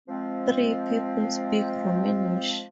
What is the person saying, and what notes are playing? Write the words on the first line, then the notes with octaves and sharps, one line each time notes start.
Three people speak Romansh.
F3 G#3 C4